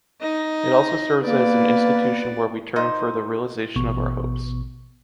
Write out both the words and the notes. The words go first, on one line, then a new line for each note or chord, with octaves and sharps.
It also serves as an institution where we turn for the realization of our hopes.
D#4 D#5
A#3 B3 B4 D5
D#4 C5
A1 B2 B3 C#6